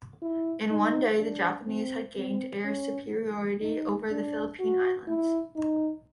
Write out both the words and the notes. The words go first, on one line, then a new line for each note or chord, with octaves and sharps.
In one day, the Japanese had gained air superiority over the Philippine Islands.
E4
D#4
D4
C4
C4
C#4
D#4
D4
F#4
E4
D#4